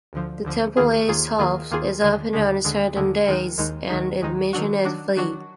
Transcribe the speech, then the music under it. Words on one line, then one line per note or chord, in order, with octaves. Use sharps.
The temple itself is open on certain days, and admission is free.
D2 D3 F3
D2 D3 F3
D#2 D#3 A#3 F4 G#4
D#2 D#3 A#3 F4 G#4
D#2 D#3 A#3 F4 G#4
D#2 D#3 A#3 F4 G#4
D#2 D3 G#3
D#2 D3 G#3
D#2 D3 G#3
D#2 D3 G#3
D#2 D#3 G#3 D#4
D#2 D#3 G#3 D#4
D#2 D#3 G#3 D#4
D#2 D#3 G#3 D#4
D#3 F#3 D4 F#4
D#3 F#3 D4 F#4
D#3 F#3 D4 F#4